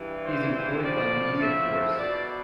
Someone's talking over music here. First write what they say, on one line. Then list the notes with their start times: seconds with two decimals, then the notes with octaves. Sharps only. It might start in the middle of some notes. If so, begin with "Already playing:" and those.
He is employed by Media Force.
Already playing: G2 E3
0.24 C5
0.82 A2 F3 D5
1.40 E5
1.99 B2 D5